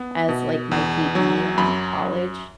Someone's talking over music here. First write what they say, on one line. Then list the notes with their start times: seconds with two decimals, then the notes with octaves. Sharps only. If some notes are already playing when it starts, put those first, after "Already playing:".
as, like, my PE in college,
Already playing: B3
0.29 B2
0.71 E2
1.15 F#3
1.58 F#2 B5
2.02 F#2